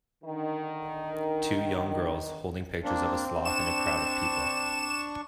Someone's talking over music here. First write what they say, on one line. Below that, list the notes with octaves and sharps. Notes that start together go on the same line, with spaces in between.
Two young girls holding pictures of a sloth in a crowd of people.
D3 D#3
A#3 C4 D4
D4 C#6 E7